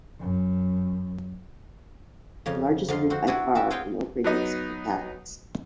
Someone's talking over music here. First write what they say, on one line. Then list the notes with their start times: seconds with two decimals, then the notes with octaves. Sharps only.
The largest group by far in Oak Ridges are Catholics.
0.20 F#2
2.46 F2 C#3
2.88 F2 D3 F4 C6
3.10 C4 F#4
3.27 B3 D4 E4 F#4 G#5
3.55 F#4 D5 E5
3.70 C4 F4 G#4 B4 C#5 G5
4.24 F#3 B3 D#4